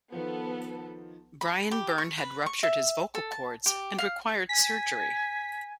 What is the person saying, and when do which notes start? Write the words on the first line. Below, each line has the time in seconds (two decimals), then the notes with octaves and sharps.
Brian Byrne had ruptured his vocal cords and required surgery.
0.12 D#3 F3 B3 A4
1.41 B5
1.71 G4
1.98 C#6
2.18 B4
2.46 C#6
2.63 E5
3.15 A4
3.32 A5
3.66 G4
3.98 F5
4.49 G#5 B6